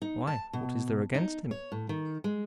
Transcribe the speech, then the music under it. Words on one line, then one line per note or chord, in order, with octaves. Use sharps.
"Why, what is there against him?"
D#4
A5
B2
D#4
C#5
A2
D#3
G#3